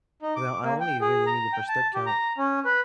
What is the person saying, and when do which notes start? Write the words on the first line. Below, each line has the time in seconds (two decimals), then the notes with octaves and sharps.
'cause I o I only really need it for step count.
0.22 D#4
0.36 D6
0.64 A#3
0.80 G5
1.01 G#4
1.27 A#5
1.53 G5
1.68 A5
1.94 G4
2.06 A#5
2.38 C#4
2.65 B4